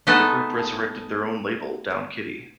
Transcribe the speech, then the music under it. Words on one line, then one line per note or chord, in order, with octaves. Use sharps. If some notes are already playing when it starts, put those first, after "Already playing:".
The group resurrected their own label Down Kiddie!
G#3 A3 B3 D#4 A4